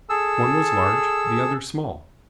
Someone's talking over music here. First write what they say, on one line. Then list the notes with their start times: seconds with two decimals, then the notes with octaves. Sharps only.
One was large, the other small.
0.09 G#4 A4 E6